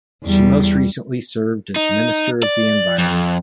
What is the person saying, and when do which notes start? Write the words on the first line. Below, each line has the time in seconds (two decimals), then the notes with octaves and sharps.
She most recently served as Minister of the Environment.
0.24 E2 G3
1.76 D#4
2.43 D5
2.98 F2